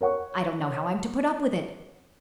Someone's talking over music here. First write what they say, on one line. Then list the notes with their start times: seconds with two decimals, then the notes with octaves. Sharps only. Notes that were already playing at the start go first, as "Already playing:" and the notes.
I don't know how I'm to put up with it.
0.01 A#4 C#5 F#5 C#6